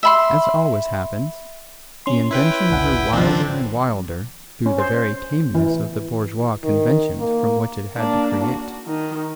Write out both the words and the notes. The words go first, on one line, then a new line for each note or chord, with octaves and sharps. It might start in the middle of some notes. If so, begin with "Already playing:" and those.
As always happens, the invention grew wilder and wilder through the very tameness of the bourgeois conventions from which it had to create.
E5 B5 C6
C#4 C6
E4 B4 G5
G1 C#2 F#5
G#1 D#3 F3 C4 D4
C#4
C5
E3
D#3
A#3
A#3 D4
F#4
D#3